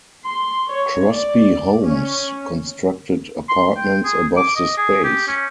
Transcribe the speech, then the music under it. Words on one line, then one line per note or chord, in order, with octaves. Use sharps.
Crosby Homes constructed apartments above the space.
C6
C#5
D5
C#4
C6
G5
G#4
D6
D#5
G#4
G4
C#4